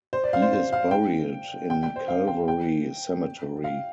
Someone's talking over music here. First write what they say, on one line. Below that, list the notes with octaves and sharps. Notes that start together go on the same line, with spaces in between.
He is buried in Calvary Cemetery.
C5
D5
F5
C5
C5
F5
G5
G5
G5
C5
F5
G5
G5
F5